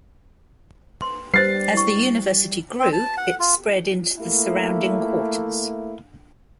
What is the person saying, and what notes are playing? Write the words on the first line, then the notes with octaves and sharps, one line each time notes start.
As the university grew, it spread into the surrounding quarters.
C6
G3 B4 C5 A6 C7
E4 C#6
C4
A5
F#5
F4
A3 A#3 E4